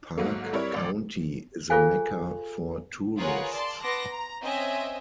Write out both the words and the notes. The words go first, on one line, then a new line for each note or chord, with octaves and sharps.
Park County is a mecca for tourists.
G#2 F#3 A3 A#3
G3 C4 E4 A#4 C#5
A1 D5
F4 G#4 A4 C5 F5 G#5
F4 G#4 A#4 B4 C#5 F#5
D5 A5 C6
B3 A5 C6 D6 A#6
A#5
C4 C#4 D#5 E5 G#5